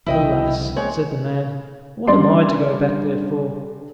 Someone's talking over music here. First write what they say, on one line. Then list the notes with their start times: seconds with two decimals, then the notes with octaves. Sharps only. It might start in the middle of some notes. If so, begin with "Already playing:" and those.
"Alas," said the man, "what am I to go back there for?"
0.06 C2 C#3 F3 E4 D#5 G5
0.76 G#3 C4 C#5
2.07 G2 C#4 D5 C6